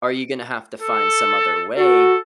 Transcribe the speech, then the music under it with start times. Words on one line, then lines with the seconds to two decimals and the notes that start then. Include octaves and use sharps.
Are you gonna have to find some other way
0.82 A4
1.77 F#4 A4